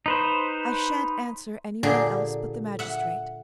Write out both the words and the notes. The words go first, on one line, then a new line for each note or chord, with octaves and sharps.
I shan't answer any one else but the magistrate.
D#4 B4 C5
A#2 D3 G4 G#4
E5 F#5